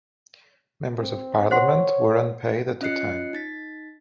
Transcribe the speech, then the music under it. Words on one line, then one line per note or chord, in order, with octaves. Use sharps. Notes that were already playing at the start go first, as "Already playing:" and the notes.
Members of parliament were unpaid at the time.
C4
C5 C#5 F#5 C6
C#4 F4 D#5 F#6 C7 C#7
D#4 A6 B6